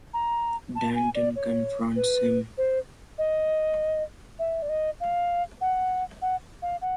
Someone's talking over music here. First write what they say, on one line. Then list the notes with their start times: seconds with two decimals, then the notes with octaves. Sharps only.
Danton confronts him.
0.13 A#5
0.75 A5
0.95 G#5
1.15 D5
1.36 C#5
1.96 B4
2.57 C5
3.18 D#5
4.39 E5
4.62 D5
4.69 D#5
5.00 F5
5.61 F#5
6.22 F#5
6.62 F5
6.81 F#5